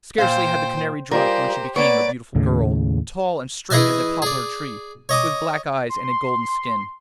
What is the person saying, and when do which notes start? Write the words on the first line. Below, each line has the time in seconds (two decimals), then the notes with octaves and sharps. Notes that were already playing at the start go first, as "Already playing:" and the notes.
Scarcely had the canary drunk when she became a beautiful girl, tall and straight as a poplar tree, with black eyes and a golden skin.
0.18 A#2 C5 F5 G5
1.11 G3 F4 G4 G#4 A#4 C5
1.76 A#3 B3 B4 C#5 D5 D7
2.35 D#2 A2 C#3
3.70 E3 E4 G#4 D#5 G#5 A5
4.22 G#4 D5
5.09 C#5 D#5 D6 D#6
5.89 C6